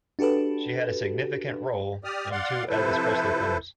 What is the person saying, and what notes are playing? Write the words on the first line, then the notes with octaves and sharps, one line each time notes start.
She had a significant role in two Elvis Presley films.
D4 F#4 G4 A4 B4
G4 D5 D#6 F6
D5 F5 F#5 C6
C3 F3 E4 A4 B4 C5